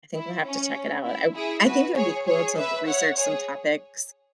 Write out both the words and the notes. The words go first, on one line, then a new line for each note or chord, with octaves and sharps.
I think we'll have to check it out. I I think it would be cool to research some topics,
E4
C#4
E4
E4 G#4
F#4 B4
G#4 C#5
G#4 C#5
B4 E5
C#5 F#5
G#4 C#5